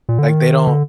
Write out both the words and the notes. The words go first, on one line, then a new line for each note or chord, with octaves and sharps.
Like, they don't
A#2
D3
D#3
D3